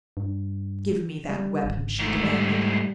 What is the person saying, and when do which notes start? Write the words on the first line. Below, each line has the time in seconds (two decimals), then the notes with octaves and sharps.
"Give me that weapon!" she demanded.
0.17 G2
1.29 G3
1.64 G#1
1.99 G#2 A3
2.23 G3